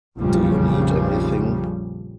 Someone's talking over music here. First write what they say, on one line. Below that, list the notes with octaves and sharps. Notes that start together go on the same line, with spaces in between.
Do you need anything?
A#1 F2 C#3 F3 G3